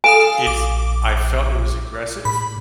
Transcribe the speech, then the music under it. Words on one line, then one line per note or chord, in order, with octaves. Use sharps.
it's I felt it was aggressive.
A4 F5 G#5 D#6
A#1 D6
A2 B5